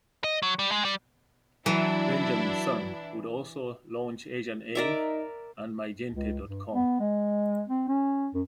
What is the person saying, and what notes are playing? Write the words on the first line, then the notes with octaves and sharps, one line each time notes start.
Benjamin Sun would also launch AsianAve and MiGente dot com.
D#5
F#3
G3
G#3
G3
E3 F#3 D4 E4
D#4 A#4 D5 E5
C#2
G2
B3
G#3
C4
C#4
F#2